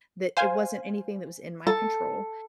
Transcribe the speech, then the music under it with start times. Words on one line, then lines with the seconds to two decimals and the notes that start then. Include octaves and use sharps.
that it wasn't anything that was in my control,
0.37 C5 F5 G#5
1.67 A4